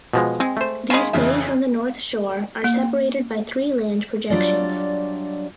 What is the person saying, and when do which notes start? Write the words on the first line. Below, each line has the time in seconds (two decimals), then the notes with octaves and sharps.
These bays on the north shore are separated by three land projections.
0.13 B2 F3 G#3
0.40 G#3 C4
0.57 A3 C5
0.90 D#3 G#3 F5 G#5 B5
1.13 F2 C#3 E3 E5
2.64 A#3
4.30 F#3 G3 D4 F4 D5 D#5